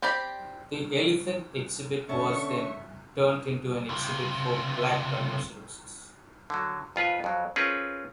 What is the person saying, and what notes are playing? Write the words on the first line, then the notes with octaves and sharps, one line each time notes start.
The elephant exhibit was then turned into an exhibit for black rhinoceroses.
C4 G4 D5 B5
D3 C#4 E5 A5 C#6
C#2 C3
D3 F#3
F2 F4 B4 G#5
F2 F#3
C4 C#4 F4 G#4 A#4 B4